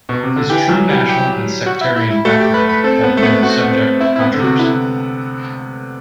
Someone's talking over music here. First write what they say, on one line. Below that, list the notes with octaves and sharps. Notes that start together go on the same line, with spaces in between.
His true national and sectarian background have been a subject of controversy.
B2
C3
D3
E3 G4
F#3
G3
G4
F#4
E4
E4
E4
A3 F#4
G4
B4
B4
C4 A4
B3
A3
B3
C4 F#4
C4
C4 E4
E4
B3
D3
C3 F#4
D3 E4